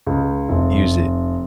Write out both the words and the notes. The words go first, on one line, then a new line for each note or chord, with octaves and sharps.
use it.
C#2
F1